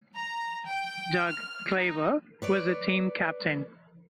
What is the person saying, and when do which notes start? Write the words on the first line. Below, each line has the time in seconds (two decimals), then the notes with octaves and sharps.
Doug Kleiber was the team captain.
0.16 A#5
0.68 G5
1.30 F6
1.77 D#4
2.42 B4 C#5 D5